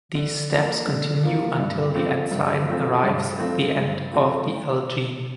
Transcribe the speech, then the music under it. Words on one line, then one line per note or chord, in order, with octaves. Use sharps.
These steps continue until the enzyme arrives the end of the L gene.
D3
F3 A#3 F4
D3
F3 A#3 F4
G2
F3 A3 C4
G2
F3 A3 C4
G2
F3 A3 C4
G2
F3 A3 C4